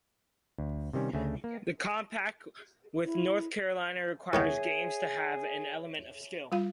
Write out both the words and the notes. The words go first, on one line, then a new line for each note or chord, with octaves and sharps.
The compact with North Carolina requires games to have an element of skill.
D2
C3 D#3 G3 C#4
D2 C#3 A3 G#5
A#3
E4
C2 D#3 B3 G#4 C#5 E5 C#6 G#6
G3 F4 F5